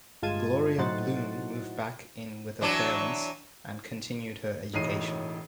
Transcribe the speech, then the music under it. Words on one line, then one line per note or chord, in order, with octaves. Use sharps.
Gloria Bloom moved back in with her parents and continued her education.
G1 G#3 F4 A5 G#6 D#7
A2 F#3 D#4 C5 F#5 A6
E3 F#3 D4
E1 A2 D#4 C7 D#7